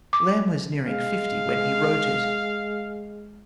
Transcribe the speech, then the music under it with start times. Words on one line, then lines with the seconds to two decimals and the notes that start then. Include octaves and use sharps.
Lamb was nearing fifty when he wrote it.
0.13 D6
0.88 G#3 F5